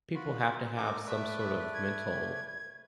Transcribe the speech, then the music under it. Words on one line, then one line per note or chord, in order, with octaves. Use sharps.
people have to have some sort of mental
F4 F#4 B5
D#4 A4 A#4 D6
A3 B4 D5 E5
G#6